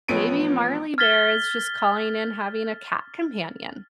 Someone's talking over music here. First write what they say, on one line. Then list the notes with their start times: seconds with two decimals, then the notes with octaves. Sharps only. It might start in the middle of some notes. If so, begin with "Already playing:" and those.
maybe Marley Bear is just calling in having a cat companion.
0.08 A1 F3 B3 C#5 D7 D#7
0.98 F6 G#6 A6 B6 G7